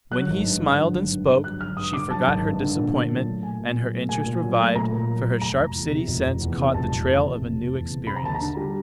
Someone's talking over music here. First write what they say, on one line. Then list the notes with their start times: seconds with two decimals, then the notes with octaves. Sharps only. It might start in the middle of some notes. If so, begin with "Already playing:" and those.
When he smiled and spoke she forgot her disappointment, and her interest revived, for her sharp city sense caught the trail of a new experience.
0.11 F#3 F#6
0.28 G#1
0.45 G2
0.61 D3
0.77 F#3
0.94 G#1
1.11 G2
1.27 D3
1.44 F#3 F#6
1.60 G#1 F6
1.77 G2 D#6
1.93 D3 D6
2.10 F#3 A5
2.27 G#1
2.43 G2
2.60 D3
2.77 A#2
2.93 A#2
3.09 F#3
3.26 A3
3.43 A#2 G#5
3.59 A#2
3.76 F#3
3.92 A3
4.09 A#2 G#5
4.25 A#2
4.42 F#3
4.59 A3
4.76 A#2 A#5
4.92 A#2
5.08 F#3
5.26 A3
5.42 F1 A#5
5.59 F1
5.75 E2
5.91 C3
6.08 F1
6.25 F1
6.41 E2
6.58 C3
6.74 F1 A5
6.91 F1
7.08 E2
7.24 C3
7.41 F1
7.57 F1
7.74 E2
7.90 C3
8.07 C4 B5
8.16 A#5
8.23 D#2 A5
8.35 A#5
8.40 D3
8.57 G3